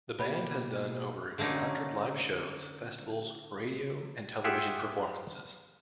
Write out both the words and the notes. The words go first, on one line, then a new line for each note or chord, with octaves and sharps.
The band has done over a hundred live shows, festivals, radio and television performances.
B2 A#3 G4 B4 B5
G4
D3 A3 A#3 C#4 D#4
F4 G4 G#4 E5 F#5